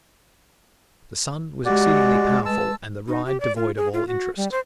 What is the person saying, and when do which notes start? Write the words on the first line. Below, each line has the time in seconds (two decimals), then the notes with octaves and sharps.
The sun was exceedingly powerful, and the ride devoid of all interest.
1.65 G#3 F#4 G4 D5
2.46 B4 A5 E6
3.08 D#4
3.25 G4
3.40 D5
3.56 F4
3.77 G#4
3.93 F4
4.07 F#4
4.37 G3
4.52 C5